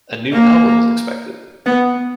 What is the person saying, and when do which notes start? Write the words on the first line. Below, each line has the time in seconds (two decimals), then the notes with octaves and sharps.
A new album is expected.
0.32 A#3
1.66 B3